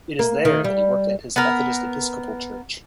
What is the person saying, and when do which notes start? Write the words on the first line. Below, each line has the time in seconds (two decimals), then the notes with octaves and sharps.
It is there that he worked at his Methodist Episcopal Church.
0.19 A#3
0.45 D#3
0.64 G3
1.36 B3 A#4